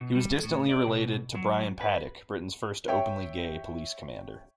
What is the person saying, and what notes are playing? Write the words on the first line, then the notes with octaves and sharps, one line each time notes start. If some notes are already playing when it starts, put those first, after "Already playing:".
He was distantly related to Brian Paddick, Britain's first openly gay police commander.
B2
G3
A2
D5
B2
F#3
B4
C#5 E5 G5